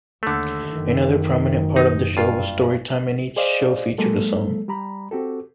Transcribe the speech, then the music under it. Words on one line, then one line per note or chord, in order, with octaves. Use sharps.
Another prominent part of the show was story-time and each show featured a song.
D#2 D3 A3
F#1 D#3
D#4
G2 F4
G#4 C5 D5 D#5 F5
F#3 G#3 A#3 A4
G3 G4 A#5 B5
C4 F#4 G4 A4